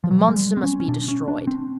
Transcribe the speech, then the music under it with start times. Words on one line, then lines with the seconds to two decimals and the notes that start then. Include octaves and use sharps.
"The monster must be destroyed."
0.04 F3
0.10 B2 F#3
0.28 G#3
0.36 G3
0.57 C4
0.63 C#4
0.80 C#4
0.88 B2 D4
1.08 C#4
1.28 D4
1.47 C4